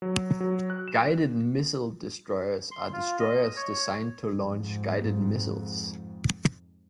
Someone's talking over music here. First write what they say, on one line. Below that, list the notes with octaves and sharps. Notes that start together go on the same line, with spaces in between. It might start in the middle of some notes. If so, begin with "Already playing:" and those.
Guided-missile destroyers are destroyers designed to launch guided missiles.
F#3
F#3
F#6
E7
C6
F4
D#5
C#5
F2 G#2